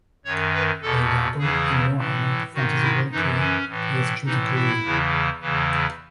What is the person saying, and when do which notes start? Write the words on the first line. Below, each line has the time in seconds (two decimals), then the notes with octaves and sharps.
For example, in "Warhammer Fantasy Roleplay", players choose a career.
0.25 F#2 D#3 C#5
0.54 B4
0.82 E2 B2 A4
1.39 E2 C#3 E3 G#4
1.97 A2 E3
2.54 G#2 D#3 F#4
2.82 E4
3.11 F#2 E3 D#4
3.39 C#4
3.68 A2 E3
4.25 A2 E3 D#4
4.55 E4
4.83 E2 C#3 E3
5.41 E2 C#3 E3